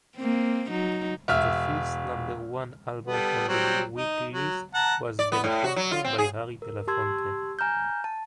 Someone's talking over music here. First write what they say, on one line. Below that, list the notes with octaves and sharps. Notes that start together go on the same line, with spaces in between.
The first number-one album on the new weekly list was "Belafonte" by Harry Belafonte.
A#3 C4
F#3 D#4
E1 E5 F6
G3 B3 A4
F#3 G3 C4
D#4
F#3
F#5 A5 A#5
D5
B3
A2
F#4
F#3
F4
C4
G#4
A#4
G4 A5 C6 E6 G#6
G#5 A#5 F6 G6
A5